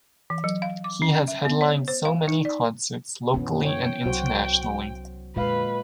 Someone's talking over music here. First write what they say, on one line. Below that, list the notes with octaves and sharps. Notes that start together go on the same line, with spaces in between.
He has headlined so many concerts locally and internationally.
E3
F#3
F5
D6
C#4
E5
B3
C#5
C5
F5
D#4
D5
F#2 B2 E3 B3 C#4
C#5 G5
C2 F#3 F#4 C5
F2 A#2 D3 G#3 B4 F5